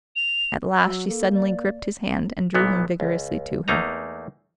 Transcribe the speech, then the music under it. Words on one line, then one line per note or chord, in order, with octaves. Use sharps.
At last she suddenly gripped his hand and drew him vigorously to her.
F7
F#3 E6
A#3 A4
D5
B1 A#2 E3 B3
C#2
E2 A3 A#3 D#4 A#5